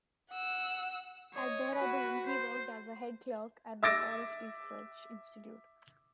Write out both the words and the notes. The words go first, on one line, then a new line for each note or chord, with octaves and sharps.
At Dehradun he worked as a head clerk at the Forest Research Institute.
F#5 E6
C#5 D#5
F#4 B4
C5
E5 D6 E6 A6 A#6 D7